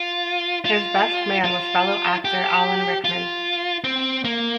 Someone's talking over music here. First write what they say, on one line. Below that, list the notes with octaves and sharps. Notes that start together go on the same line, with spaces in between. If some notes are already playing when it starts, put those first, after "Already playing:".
His best man was fellow actor Alan Rickman.
Already playing: F4
F4
F4
G4
F4
C4
A#3